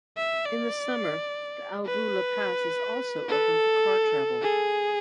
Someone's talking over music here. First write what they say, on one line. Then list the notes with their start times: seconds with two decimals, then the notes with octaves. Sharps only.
In the summer, the Albula Pass is also open for car travel.
0.17 E5
0.46 D5
1.87 B4
3.29 A4
4.42 G#4